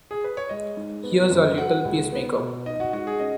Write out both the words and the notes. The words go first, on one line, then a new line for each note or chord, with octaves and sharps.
Here's our little peace-maker!
G#4
B4
C#5
G#3 D#5
G#2
B3
F#2
F#3 F#5
C#2
B3
B2
D#4 D#5
F#4
G#2 F#4
G#4
C#4 D#5